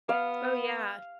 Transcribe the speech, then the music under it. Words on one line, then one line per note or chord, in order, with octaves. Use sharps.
Oh, yeah.
B3 F5